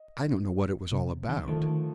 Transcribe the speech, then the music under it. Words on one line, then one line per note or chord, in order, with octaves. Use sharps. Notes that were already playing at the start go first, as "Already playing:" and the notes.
I don't know what it was all about.
Already playing: D#5
C3
D#3
D3 D#3 F3 A3